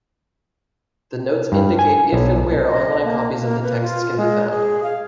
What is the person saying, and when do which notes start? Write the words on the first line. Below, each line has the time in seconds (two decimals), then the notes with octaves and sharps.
The notes indicate if and where online copies of the texts can be found.
1.52 G2
1.79 G#5
2.13 B1
2.68 D#5
3.04 A#3
3.40 A#3
3.63 B4
3.81 F4
4.17 G#3
4.51 G#4
4.83 F5